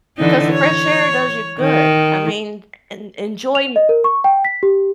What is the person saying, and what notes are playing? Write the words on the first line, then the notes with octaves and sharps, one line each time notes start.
Because the fresh air does you good, I mean, en enjoyme
D3 E3 D#4
C#5
D#3
F7
D#5
A#4
C#6
G5
B6
G4